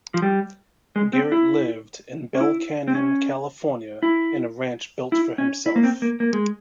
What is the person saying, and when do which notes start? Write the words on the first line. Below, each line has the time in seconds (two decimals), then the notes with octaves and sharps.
Garrett lived in Bell Canyon, California in a ranch built for himself.
0.14 F3
0.22 G3
0.96 G#3
1.13 C4
1.32 E4
2.35 C#4
2.41 E4
2.88 C4
2.95 C#4
4.03 E4
5.12 E4
5.38 C#4
5.66 E4
5.76 A#3
5.84 C4
6.02 A#3
6.20 A#3
6.33 G#3